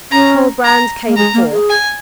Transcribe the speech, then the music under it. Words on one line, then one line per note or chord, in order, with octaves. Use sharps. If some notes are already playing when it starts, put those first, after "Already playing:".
Colbrand came forth.
C#4 A#5
A#5
A#3
G#3 A#5
A#3
G#4
G#5